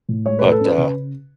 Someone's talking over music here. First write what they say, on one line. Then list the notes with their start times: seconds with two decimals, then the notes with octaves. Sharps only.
But, uh
0.09 A2
0.26 G#3 C#5
0.39 A2 B4
0.52 A4
0.60 C#4 B4
0.78 C#3